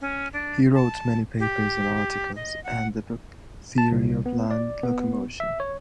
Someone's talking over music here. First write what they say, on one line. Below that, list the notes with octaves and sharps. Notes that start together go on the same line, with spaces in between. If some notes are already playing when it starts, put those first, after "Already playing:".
He wrote many papers and articles, and the book "Theory of Land Locomotion".
C#4
D4
A5
G4
D#5
F#5
A5
C2
B3
D5
B3
E5
C#5